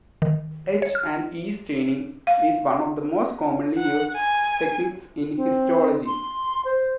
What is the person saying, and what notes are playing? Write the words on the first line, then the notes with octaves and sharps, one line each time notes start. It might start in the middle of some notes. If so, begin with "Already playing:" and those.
H and E staining is one of the most commonly used techniques in histology.
D#3
C#5
F6
F5
F#5
G#5
C4
C6
C5